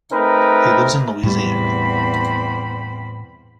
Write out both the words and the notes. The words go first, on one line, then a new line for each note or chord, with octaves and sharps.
He lives in Louisiana.
A3 C4 D#4 A#4 B4
E2 A2 G3 C4 B5